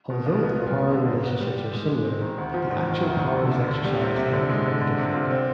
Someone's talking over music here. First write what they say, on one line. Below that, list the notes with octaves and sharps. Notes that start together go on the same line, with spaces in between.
Although the power relationships are similar the actual powers exercised can be quite different.
B2
C2
B3
F4
G#3
D3
G#2
B3
G3
G4
G#3
G#3
C4
D#3
D2
F3
G#2
D#3
D2
D2
D3
D#2
D3
G3
C3
C3
D3
G#3
D3
D3
C3
F4
C4